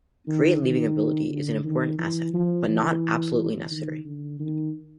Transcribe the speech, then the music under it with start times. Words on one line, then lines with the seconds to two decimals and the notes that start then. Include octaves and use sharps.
Great leaping ability is an important asset, but not absolutely necessary.
0.27 D#3
0.62 D#3
1.30 D3
1.64 D#3
1.99 E3
2.34 F3
2.68 E3
3.71 D#3
4.05 D3
4.39 D#3